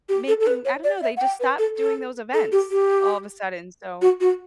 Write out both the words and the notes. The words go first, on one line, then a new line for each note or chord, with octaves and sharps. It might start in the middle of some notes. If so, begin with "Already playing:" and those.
making I don't know, they just stopped doing those events all of a sudden, so,
G4
A4
A4
B4
C#5
D5
E5
F#5
G5
B4
A4
A4
A4
G4
G4
F#4
F#4